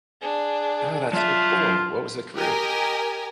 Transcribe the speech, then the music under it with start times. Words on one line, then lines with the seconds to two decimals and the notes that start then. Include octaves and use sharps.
Oh, that's so cool. What was the group?
0.21 D4 G#4
1.13 F#3 F4 E5 A5
2.35 G4 A#4 D#5 G5 G#5